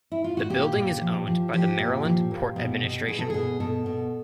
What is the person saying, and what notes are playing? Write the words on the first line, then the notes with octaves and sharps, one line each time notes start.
The building is owned by the Maryland Port Administration.
E4
F4
F#4
A#2 G4
A#2
F3
F3
F3 G4
A#2
F3
A#2
B2
B2
B2 G#4
A4
B2 G#4
B2 A4
B2